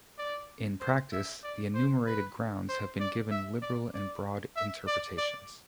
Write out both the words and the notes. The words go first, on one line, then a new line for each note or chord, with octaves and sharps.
In practice, the enumerated grounds have been given liberal and broad interpretations.
D5
C5
E5
D5
C5
B4
C5
D5
E5
D5
D5
E5
D5
D5